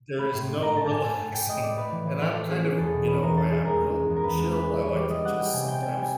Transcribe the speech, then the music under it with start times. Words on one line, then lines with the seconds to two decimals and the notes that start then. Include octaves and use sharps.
There is no relaxing, and I'm kind of ,you know, I I'm real chill, I like to just sometimes
0.18 A3 B5
0.33 A2 C6
0.47 A3
0.62 A2 A#5
0.76 A2 A5
0.91 A2 G#5
1.05 A2 A5
1.20 A2 G#5
1.34 A2 G5
1.49 A2 D#5
1.63 A3 D5
1.78 A2 B4
1.92 E3
2.07 E3
2.20 E3 A4
2.36 A3
2.49 C#4 G#4
2.64 C#4 G#4
2.78 E2 A4
2.93 B2
3.07 C#4 B4
3.22 E2 A#4
3.36 C#4 A4
3.51 C#4 G#4
3.65 E2 A#4
3.81 G#3
3.94 G#3
4.09 E2
4.16 A#4
4.23 E2 B4
4.38 G#3
4.52 G#3 B4
4.67 C#4
4.81 E3 C#5
4.95 G3 D5
5.10 G3 D#5
5.25 G3 F#5
5.39 G3 G5
5.53 C3 G#5
5.68 C4 G5
5.82 C4 G#5
5.93 G3 G5
6.03 G#5